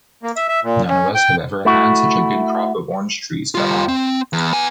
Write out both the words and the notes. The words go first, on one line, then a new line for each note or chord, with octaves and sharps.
None one of us has ever had such a good crop of orange trees cut off.
A#3
E5
E5
A#2
C#4
G5
A3 E4 F#4
G3 F4
C4
E2
B3 G#5